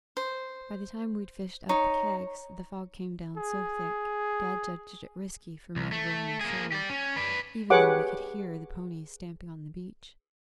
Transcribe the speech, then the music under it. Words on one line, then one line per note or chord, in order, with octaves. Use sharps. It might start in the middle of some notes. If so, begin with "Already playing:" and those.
By the time we'd fished up the kegs the fog came down so thick Dad judged it risky for me to row 'em ashore, even though we could hear the ponies stamping on the beach.
C5
D#4 C#5
G#4
C2
A3
A#3 G#4
G4 D5
C#4
B4 D5
G4 G#4 B4 C#5 F#5 D6